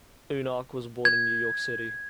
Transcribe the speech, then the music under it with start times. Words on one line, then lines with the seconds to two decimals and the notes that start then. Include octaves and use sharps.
Uhnak was born in New York City.
1.05 G#6